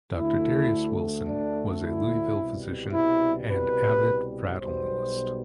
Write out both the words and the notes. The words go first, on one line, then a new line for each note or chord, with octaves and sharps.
Doctor Darius Wilson was a Louisville physician and avid fratalnalist.
D2 D3 A3 E4
D4
E4
C2 B2 G3
E4
B4
B1 B2 G3 C5